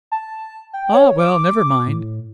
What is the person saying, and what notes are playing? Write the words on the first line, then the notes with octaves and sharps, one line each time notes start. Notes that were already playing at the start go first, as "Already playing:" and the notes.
Ah, well, never mind.
A5
G5
C#5
D6
A2